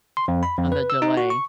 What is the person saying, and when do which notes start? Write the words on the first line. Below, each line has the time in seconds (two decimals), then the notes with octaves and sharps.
on the delay.
0.17 C6
0.28 F2
0.43 B5
0.58 F2
0.72 B4
0.90 E6
1.02 D#4
1.17 F#4
1.30 C#6